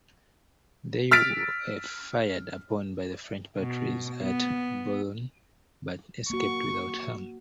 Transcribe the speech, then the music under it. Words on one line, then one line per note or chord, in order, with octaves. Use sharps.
They were fired upon by the French batteries at Boulogne but escaped without harm.
E6 F6 A6 B6 D7
B2
B3
A#3 F#4 C#6